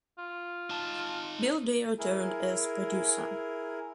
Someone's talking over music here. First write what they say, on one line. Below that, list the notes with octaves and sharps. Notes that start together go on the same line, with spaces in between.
Bill Dare returned as producer.
F4
D#4 A5
E4 G#4 A#4